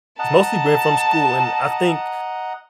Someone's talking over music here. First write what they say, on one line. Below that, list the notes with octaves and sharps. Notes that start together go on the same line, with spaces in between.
it's mostly been from school, and I think
D#5 F#5 A5 A#5